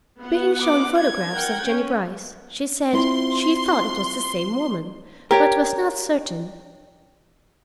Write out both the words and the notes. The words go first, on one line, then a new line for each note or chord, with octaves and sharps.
Being shown photographs of Jennie Brice, she said she thought it was the same woman, but was not certain.
B3 F#5
D6
G#6
A#4 F#5 G5
C#4
C4 E4 F4 C6
G4 A#4 C#5 G5